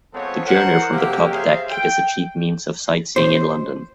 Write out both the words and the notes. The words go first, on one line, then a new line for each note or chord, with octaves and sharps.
The journey from the top deck is a cheap means of sightseeing in London.
F3 G#3 B3 C4 A4 C#5
A#4 C5 F#5
C3 A#3 F#4 G4
G#4 C5 C#5 E5 F5
G5
C5